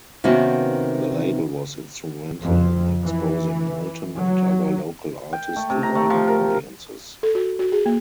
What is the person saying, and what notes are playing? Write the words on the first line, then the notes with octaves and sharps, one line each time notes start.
The label was instrumental in exposing Milton and other local artist to wider audiences.
C3 D#3 A#3 B3 C#4 F#4
F2
E3
F#3
G5
A3
C3
A#5
A3
F3
A#4
A4
F#4
F#4
G#4
A#3